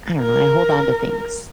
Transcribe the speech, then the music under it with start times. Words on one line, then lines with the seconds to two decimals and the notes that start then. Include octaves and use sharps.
I don't know. I hold on to things.
0.20 A#4